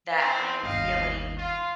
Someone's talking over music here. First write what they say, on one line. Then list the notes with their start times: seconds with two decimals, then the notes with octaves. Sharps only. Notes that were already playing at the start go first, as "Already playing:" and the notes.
that I am feeling
0.18 C4
0.63 G1 D#2 D#5 F5
1.37 F4